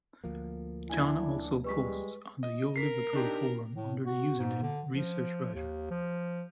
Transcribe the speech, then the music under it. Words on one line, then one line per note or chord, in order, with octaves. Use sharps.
John also posts on the YoLiverpool forum under the username ResearchWriter.
D2 F3 A#3
D4 E4 G#5 G#6
G3 G#3 B4 C#6 B6
D#5
A#4 B6 C7
D4 D#4 G4
A2
F#4
G#2
D3
F3
D#2
F3